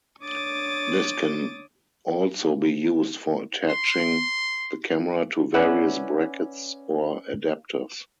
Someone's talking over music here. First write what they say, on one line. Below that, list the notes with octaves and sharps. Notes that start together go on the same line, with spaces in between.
This can also be used for attaching the camera to various brackets or adapters.
D4 C#5 D6 D#6 A6
C6
C#4 B4 D5 E5 F#5